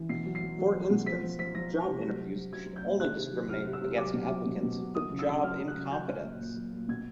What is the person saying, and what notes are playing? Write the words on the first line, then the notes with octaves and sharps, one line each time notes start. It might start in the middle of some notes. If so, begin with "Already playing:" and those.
For instance, job interviews should only discriminate against applicants for job incompetence.
Already playing: E3
B2 C7
F#3
C7
F#3
F#3
F#3
B2
F3 B6
F3
F3 B6
F3 A#6
F3
C3
F#3
F#3
F#3
F#3 G#6
F#3
G6
A#2
D#3 F#6
C3
F#3
C3 F6
C3
E6
C3
F#3 D6
B2
F#3
B2
B2
F#3
F#3 D#6
C#3
E6
C#3
F#3 F6
F#3
F#6
C#3
F#3 G6
F#3
A#2
A#2
F#3
A#2
B2 G#6